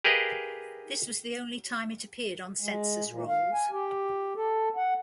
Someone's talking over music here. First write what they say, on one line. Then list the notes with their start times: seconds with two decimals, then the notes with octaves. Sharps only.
This was the only time it appeared on census rolls.
0.04 G4 G#4 A#4 B4 D#5 F5
2.60 G#3
3.05 A#2
3.28 F5
3.53 G#5
3.71 G4
4.36 A4
4.76 F#5